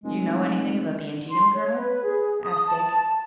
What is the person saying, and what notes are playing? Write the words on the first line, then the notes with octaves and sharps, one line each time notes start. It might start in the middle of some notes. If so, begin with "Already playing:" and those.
"Do you know anything about the Antietam, colonel?" asked Dick.
F1 G#3
C6
C#5
B4
G#4
D#6
A5